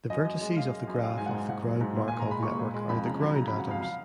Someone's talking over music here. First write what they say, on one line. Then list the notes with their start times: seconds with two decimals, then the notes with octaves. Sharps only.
The vertices of the graph of the ground Markov network are the ground atoms.
0.10 F#2 D#5
0.25 F#2
0.41 G#3
0.56 F#2 F5
0.71 G#3
0.87 F#2
0.94 D#5
1.03 F#3 F5
1.18 G#2 G#5
1.26 F#5
1.34 G#2
1.49 G#2 F#5
1.65 F#3
1.81 G#2
1.96 A#2
2.08 G#5
2.12 A#2
2.20 A#5
2.27 G#3 B5
2.42 A#2 C#6
2.58 A#2
2.74 G#3
2.89 F2 B5
3.05 C#3 A#5
3.20 F#3 B5
3.35 C#3 A#5
3.47 B5
3.52 F#3
3.60 F#5
3.67 F2 F5
3.82 F5